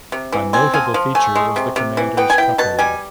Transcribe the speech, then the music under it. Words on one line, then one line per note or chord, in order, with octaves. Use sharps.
A notable feature was the commander's cupola.
C3
E3
C4 G#5
F3 G#5
F3
A3 G#5
G#3
C3
C3
E3
B3 G5
G#5
E4 G5
B2 A5
G3 G#5